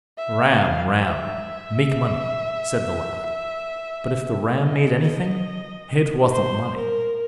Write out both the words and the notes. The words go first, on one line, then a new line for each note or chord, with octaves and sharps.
'Ram, ram! make money!' said the lad; but if the Ram made anything, it wasn't money.
E5
F5
E5
D#5
C5
A#4